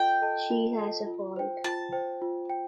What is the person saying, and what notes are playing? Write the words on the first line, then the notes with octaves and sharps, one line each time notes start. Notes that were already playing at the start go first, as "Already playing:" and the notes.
She has a fault.
Already playing: F4 A4 D#5 G5 A5
A4 D#5 A5
F4
A4 D#5 A5
F4
C5 G5
F4 A5
C5 G5
F4
G5